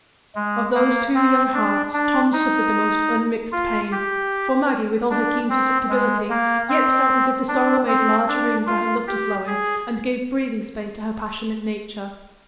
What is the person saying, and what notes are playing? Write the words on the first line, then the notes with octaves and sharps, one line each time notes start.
Of those two young hearts Tom's suffered the most unmixed pain, for Maggie, with all her keen susceptibility, yet felt as if the sorrow made larger room for her love to flow in, and gave breathing-space to her passionate nature.
G#3
A#3
C4
D4
D4
D#4
F4
G4
D4
C4
G#3
A#3
C4
D4
C4
D4
F4
G4
G#4